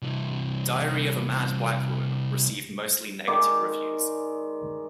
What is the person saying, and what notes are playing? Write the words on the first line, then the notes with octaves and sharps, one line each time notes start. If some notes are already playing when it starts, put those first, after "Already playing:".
"Diary of a Mad Black Woman" received mostly negative reviews.
C2 E3
D#3 G#3 D5 D6